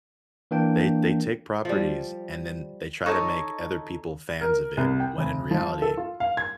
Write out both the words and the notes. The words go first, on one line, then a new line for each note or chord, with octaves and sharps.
They they take properties and then they try to make other people fans of it, when in reality,
E3 A#3 D4 G5
F3 G3
D#4 A4 C#5 D#5
A#4
C2
G5
F1
F3
A4
F4
F5
G#6